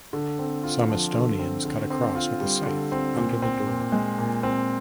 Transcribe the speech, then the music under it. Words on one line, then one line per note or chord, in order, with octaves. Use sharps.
Some Estonians cut a cross with a scythe under the door.
D3
C4
F4
F3
D3
C4
D3
C4
F4
G3
D3
C4
A#2
C4
A#2
G#3
A#2
C4